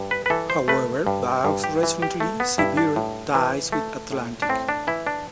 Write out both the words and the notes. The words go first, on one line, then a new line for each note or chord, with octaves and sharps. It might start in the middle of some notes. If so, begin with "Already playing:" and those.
However, Vaux recently severed ties with Atlantic.
Already playing: G2
B4
B4
E3 A4
C5
A3 B4
G2
G2
G4
E3
G4
A3
B3
G2 E4
D4
A2
E3
A3
A2
D4
A2 C4
D4
E3 E4
D4